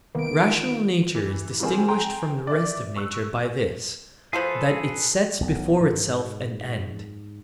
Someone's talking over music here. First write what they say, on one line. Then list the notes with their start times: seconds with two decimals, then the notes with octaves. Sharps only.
Rational nature is distinguished from the rest of nature by this, that it sets before itself an end.
0.15 C2 D#3 A#3 B3 D7
0.40 F4
1.15 E3
1.60 C#3 E3 F3 A#3 C4 G#4
1.88 G5 G#5 A#5 C6
2.47 D5 E5
2.96 C#6 E6 F#6
4.33 F3 A3 F4 G#4 A4 B4
5.41 B1
5.81 G#2